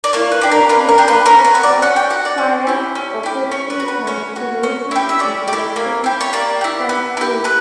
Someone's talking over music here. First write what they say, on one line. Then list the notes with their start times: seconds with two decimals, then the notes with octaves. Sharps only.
His scores use orchestra, choir, acoustic manipulations and electronic soundscapes.
0.04 D5
0.13 A#3 C#5
0.32 B4
0.41 D4 G4
0.52 A#4
0.69 A#3 B4
0.89 A#4
0.98 D4 G4
1.08 B4
1.26 C#4 A#4
1.45 B4
1.54 F#4 C#5
1.63 D5
1.82 C#4 F#5
1.96 G5
2.10 F#4 F#5
2.25 D5
2.38 C#4
2.67 E4 G4
2.95 C#4
3.23 E4 G4
3.51 C#4 C#5
3.70 B4
3.80 F#4
3.88 B4
4.07 C#4 C#5
4.36 F#4
4.63 C#4
4.91 E4 G4
5.09 E5
5.19 C#4 D5
5.48 G4
5.53 E4
5.76 A#3
6.04 E4 G4
6.21 C#5
6.33 A#3 D5
6.61 E4 G4
6.89 B3
7.17 E4 G4
7.44 B3 B4